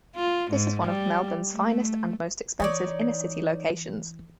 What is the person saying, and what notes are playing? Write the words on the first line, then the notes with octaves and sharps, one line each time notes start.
This is one of Melbourne's finest and most expensive inner-city locations.
F4
G#2
G3
A3
E3 D#4 C#5 D5